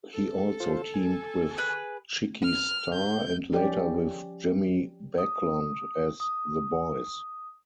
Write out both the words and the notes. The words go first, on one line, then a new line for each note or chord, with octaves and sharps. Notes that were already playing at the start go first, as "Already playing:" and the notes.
He also teamed with Chicky Starr and later with Jimmy Backlund as "The Boys".
A4
F4 C5
G#5
G#4 B4 F#6
F6
G6
F3 C#4 G4 D5
D#6
D#6